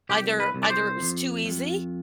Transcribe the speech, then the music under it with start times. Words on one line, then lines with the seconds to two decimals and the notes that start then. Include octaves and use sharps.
Either either it was too easy,
0.09 C2 G4
0.40 B4
0.54 C2
0.63 D5
0.70 C5
1.00 F2
1.46 F2